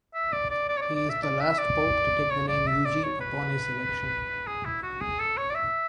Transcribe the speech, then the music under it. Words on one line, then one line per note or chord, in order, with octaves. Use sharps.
He is the last pope to take the name "Eugene" upon his election.
E5
D5
D5
D5
C#5
D5
D5
E5
D5
E5
D5
C#5
D5
E5
D5
C#5
B4
G#4
E4
F#4
G#4
A4
C#5
D5
E5